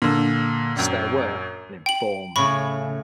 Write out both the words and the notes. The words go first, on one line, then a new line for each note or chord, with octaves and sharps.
Stay aware and informed.
A#2 D3
A#1 F#2
G5 F#7
A2 C#3 B5 C#6